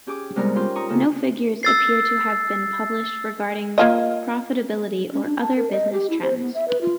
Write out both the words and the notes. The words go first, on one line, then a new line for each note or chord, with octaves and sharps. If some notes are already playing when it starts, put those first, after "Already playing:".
No figures appear to have been published regarding profitability or other business trends.
C#4 G4 G#4 D6
C3 G3 G#3 B3 D#4 A#4
C#4 F4 G4 C6
A#5 C#6 D#6
C#3 A#3 A4 A#5
E6 A6 C7
A#3 F4 D#5
C#4
D4
A5
A#4
D#5
G4
E4
C5
B3
E5
B4
F4